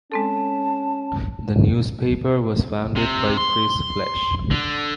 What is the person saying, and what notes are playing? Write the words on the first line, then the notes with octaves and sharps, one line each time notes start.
The newspaper was founded by Chris Flash.
G#3 C4 C#4 A4 A5
C3
C6
D3